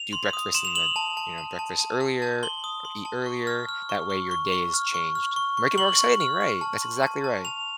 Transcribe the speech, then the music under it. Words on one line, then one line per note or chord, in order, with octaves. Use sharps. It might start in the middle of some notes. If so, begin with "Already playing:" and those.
do breakfast and then you know, breakfast earlier or eat earlier. That way your day is changed. Make it more exciting, right. That's exactly right.
Already playing: F7
C6
D#6
C6 E7
F7
D#6 F#7
A5
A5
A5
A5
A5
A5
A5
C6 G7
D#6
C6
A5
C#6
F6
F6
C#6
C#6
C#6
C#6
F6
C#6
F6
C#6
C#6
C#6 F#7
C#6
F6
F6
A5
C6
A5
A5
A5 F7